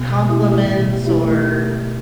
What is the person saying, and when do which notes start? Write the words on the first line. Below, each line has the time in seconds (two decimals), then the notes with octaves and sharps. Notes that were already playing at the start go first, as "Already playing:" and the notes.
compliments or
Already playing: B2
0.27 A3 E4 G4
0.66 B2
1.04 A3 E4 G4